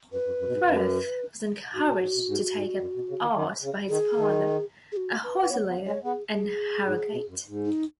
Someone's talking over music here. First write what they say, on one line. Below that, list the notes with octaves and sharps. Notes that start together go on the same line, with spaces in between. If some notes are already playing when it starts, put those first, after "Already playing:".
Frith was encouraged to take up art by his father, a hotelier in Harrogate.
F#2 B4
F#2
F#2
B2
G#2
F#2
G#2 F#4
B2
G#2
B2
G#2
G#2
F#2
B2
C#3
D#3
D#3
C#3
D#3 G#4
D#3
G#4
F#4
B4
B4
B3 C#5
B3
G#3 C#5
B3 G#4
G#4
G#2
B2
F#2
G#2
D#4